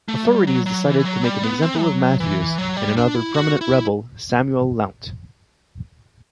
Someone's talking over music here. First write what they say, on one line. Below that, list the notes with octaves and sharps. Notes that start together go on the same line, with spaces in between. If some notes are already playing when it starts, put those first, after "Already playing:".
Authorities decided to make an example of Matthews and another prominent rebel, Samuel Lount.
A3
G3
F#3
F#3
E3
F#3
G3
B3
C4
F#3
E3
F#3
G3
D4
E4
F#4
E4